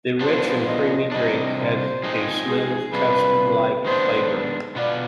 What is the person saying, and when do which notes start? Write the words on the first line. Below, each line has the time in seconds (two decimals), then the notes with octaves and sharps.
The rich and creamy drink has a smooth, custard-like flavor.
0.21 F3 B3 D4 F4 C5
0.66 D#5
1.12 C3 G3 D4 D#5
1.58 C5
2.03 F3 G#3 C4 D#4
2.49 G#4
2.93 C3 G3 D4 F4 B4
3.85 D#3 G#3 B3 D4 C5
4.75 B2 B3 F4 D5